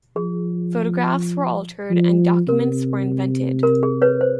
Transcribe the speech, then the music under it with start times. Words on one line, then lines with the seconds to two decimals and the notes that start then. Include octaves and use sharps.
Photographs were altered and documents were invented.
0.16 F3 G#4
1.90 F3
2.47 C3 A#4
3.63 A#4
3.83 G#4
4.02 B4 C#5
4.21 C5